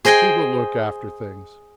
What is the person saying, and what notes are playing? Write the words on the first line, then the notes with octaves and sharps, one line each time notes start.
She will look after things.
G#4 C5 D#5 G5 G#5